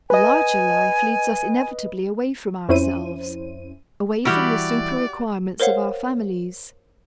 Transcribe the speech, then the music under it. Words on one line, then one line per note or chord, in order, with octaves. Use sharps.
The larger life leads us inevitably away from ourselves, away from the super-requirements of our families.
B4 D#5 G#5
F2 C#4 E4 C5 D#7
E3 G3 E4 F#4 G4 D5 B5 F6
A#4 C5 C#5 F5 F#5